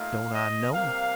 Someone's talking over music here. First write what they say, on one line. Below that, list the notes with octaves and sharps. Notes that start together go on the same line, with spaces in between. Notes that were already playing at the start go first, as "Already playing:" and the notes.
Don't I know it!
Already playing: A#2 A3 D#4 F5
D#5
C3 G3 A#3 F5